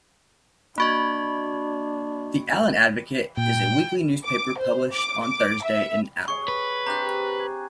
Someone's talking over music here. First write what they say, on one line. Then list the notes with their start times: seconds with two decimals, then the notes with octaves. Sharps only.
The "Allen Advocate" is a weekly newspaper published on Thursday in Allen.
0.78 A#3 D4 F#4 D#5 B5 C#6 G#6
3.37 A#2 G5
4.23 D6
4.59 C5
4.92 D6
5.22 D6
5.62 E5
6.28 G#4 C#5 C#6
6.48 B4
6.86 C3 D4 C5 A#5 F#6
7.39 G#5